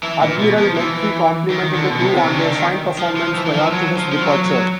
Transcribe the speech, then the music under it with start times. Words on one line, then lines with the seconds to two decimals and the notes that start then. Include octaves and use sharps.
Admiral McKee complimented the crew on their fine performance prior to his departure.
0.03 E3
0.22 A#2
0.40 B2
0.58 F3
0.76 E3
1.50 D#3
1.75 D3
1.90 B2
2.00 C3
2.17 C3
2.28 C#3
2.39 D3
2.49 D#3
2.99 F3
3.17 F3
3.36 E3
3.46 E3
3.54 F3
3.72 F#3
3.97 F3
4.12 F3
4.21 F#3
4.46 F#3